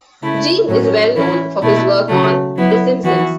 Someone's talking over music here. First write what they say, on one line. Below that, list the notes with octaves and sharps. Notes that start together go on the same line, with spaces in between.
Jean is well known for his work on "The Simpsons".
C#3 A3 E4
A2 F#3 C#4
E3 C#4 E4
B2 A3 E4
C#3 F#3 A3
F#3 B3 E4
E3 B3 F#4